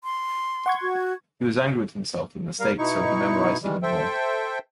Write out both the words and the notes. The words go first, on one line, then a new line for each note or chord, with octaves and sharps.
He was angry with himself for the mistake so he memorized even more.
C6
F#5 C#6 G#6
F#4
G3 A#4 F5
B2 D#4 E4 C#6
D#3 E3 G3 G#3
A4 C5 E5 G5